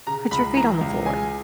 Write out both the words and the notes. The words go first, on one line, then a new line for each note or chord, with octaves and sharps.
put your feet on the floor
C#3 A#5
C#2 B5
E3 A#5
C#2
C#3 G#5